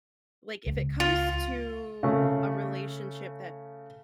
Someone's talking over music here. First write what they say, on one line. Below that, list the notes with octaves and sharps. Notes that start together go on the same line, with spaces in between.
like, if it comes to, a relationship that,
C#2
F4
C#3 A3